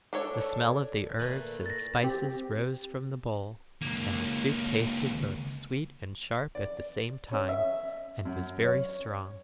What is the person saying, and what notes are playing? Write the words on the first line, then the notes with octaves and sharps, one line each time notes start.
The smell of the herbs and spices rose from the bowl, and the soup tasted both sweet and sharp at the same time, and was very strong.
D4 A4 C#5
A#2 A3 B4
A6 A#6
C4 G4
C#2 A#3
D5
C#4
E5
F#2
C#5